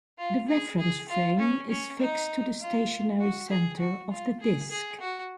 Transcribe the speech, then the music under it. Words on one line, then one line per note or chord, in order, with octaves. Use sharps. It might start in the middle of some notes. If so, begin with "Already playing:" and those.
The reference frame is fixed to the stationary center of the disk.
F4
G#4
G#4
F4
C#4
C#4
D#4
F4
F#4
G#4
F#4
F4
G#4
G#4
F#4